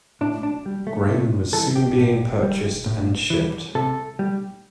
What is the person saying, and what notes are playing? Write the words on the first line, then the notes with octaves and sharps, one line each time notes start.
Grain was soon being purchased and shipped.
A2 D4
D4
G3
A3
C3 A3
E3 G3 A4
G4
A2
G3
A2
E3
G3
C3 A4
G3